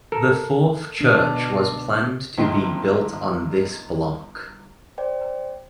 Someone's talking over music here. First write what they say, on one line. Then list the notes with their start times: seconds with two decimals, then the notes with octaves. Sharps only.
The fourth church was planned to be built on this block.
0.12 A4 A#4
1.01 B2 D4
2.38 G1 D#4 G5 C6
4.98 C5 D5 G5